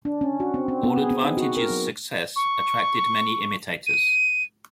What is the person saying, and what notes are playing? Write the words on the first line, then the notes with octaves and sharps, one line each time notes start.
AllAdvantage's success attracted many imitators.
D4
C#4
F#4
C4
C4
B3
G#4
C4
D#4
F#4
A#4
F#3
C#6
D#7